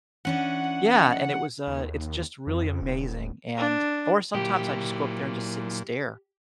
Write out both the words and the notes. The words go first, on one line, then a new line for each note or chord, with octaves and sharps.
yeah, and it was, uh, it's just really amazing, and or sometimes I just go up there and just sit and stare
E3 C#4 D4 F#5
D#2
F2
D#1
D4
A#2 F#3 E4 G4